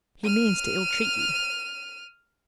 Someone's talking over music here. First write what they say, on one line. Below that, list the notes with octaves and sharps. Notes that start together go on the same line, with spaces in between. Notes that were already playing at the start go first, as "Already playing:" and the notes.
"He means to ill-treat you."
F6 D#7